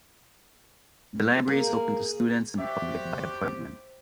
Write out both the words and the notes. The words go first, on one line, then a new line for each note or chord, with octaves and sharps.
The library is open to students and the public by appointment.
A#3 G#4
F#4 G4 C5 D5 E5 B6